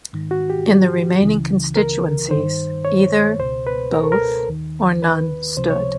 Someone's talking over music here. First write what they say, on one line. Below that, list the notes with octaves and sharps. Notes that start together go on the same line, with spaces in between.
In the remaining constituencies either both or none stood.
G#2 D#3
F#4
G4
C#2 C#3 E3
A#4
G2 D#3 C5
C#5
C#2 B2 C5
B4
A#4
A4
A#4
D#2 D#3
B4
C#2 C3 F3 C5
C#5